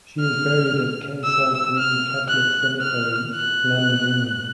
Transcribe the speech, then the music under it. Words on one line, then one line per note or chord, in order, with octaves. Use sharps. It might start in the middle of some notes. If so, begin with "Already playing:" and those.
She is buried at Kensal Green Catholic Cemetery, London, England.
F6
E6
F6
F#6
F6
F#6